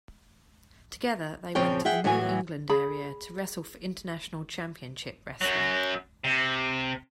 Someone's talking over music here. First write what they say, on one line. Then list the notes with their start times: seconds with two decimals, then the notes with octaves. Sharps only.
Together, they went to the New England area to wrestle for International Championship Wrestling.
1.55 A#2 C#3 F3 C4 C#5 G5
1.85 G#4 E5 F#5 G5
2.04 A2 E3 F#3 F#4 G#5
2.69 G#4 B5
5.41 F#2 F#3
6.24 C3